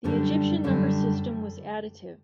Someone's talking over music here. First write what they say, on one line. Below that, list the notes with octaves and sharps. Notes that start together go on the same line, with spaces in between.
The Egyptian number system was additive.
F#2 D3 G3 D4
F#2 D3 G3 D4